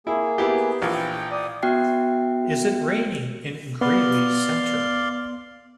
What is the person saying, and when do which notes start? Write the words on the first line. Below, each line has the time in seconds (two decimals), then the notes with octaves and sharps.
Is it rainy in Greely Center?
0.07 A#3 E4 G#4
0.38 B3 E4 G4
0.82 A#1 E3
0.95 G5
1.31 D5 D#6
1.62 B3 F#4 E5 G5 F#6 C7
3.81 B3 D5 F5 C6